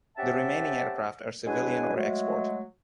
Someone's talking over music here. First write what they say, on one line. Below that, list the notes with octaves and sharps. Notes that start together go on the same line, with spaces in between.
The remaining aircraft are civilian or export.
C#4 G4 C5 E5 F#5 A5
F#3 G#3 D4 E4 B4 G#5
F#3 G#3 A3